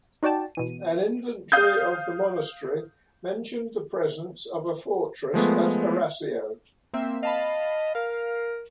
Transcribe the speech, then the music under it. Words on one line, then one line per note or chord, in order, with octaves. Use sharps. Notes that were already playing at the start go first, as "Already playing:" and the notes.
An inventory of the monastery mentioned the presence of a fortress at Arasio.
D#4 F#4 D5 G5 A5
B2 E3 D#7
F5 D#6 G6
F3 G#3 A3 B3
A#3 C4 E5
D#5 F5 A5 B5
A#4 F5